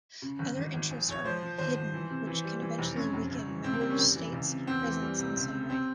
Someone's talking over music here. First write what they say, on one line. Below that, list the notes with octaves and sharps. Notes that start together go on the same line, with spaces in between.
Other interests are hidden which can eventually weaken Member States' presence in some way.
C#3
G1
G#1
G#1
A#1
A#1 C#5
F3 C5
F3
G#1 C5
G#1
E3
C3
E3
G3
E3
F1
F2 C#4
F1
C#2
E3
C#2 C4
A#3
G3 C4
C#4
F1
E3
C#2
C3
E2 C4
E3
G3
C2
C#2
C3
C4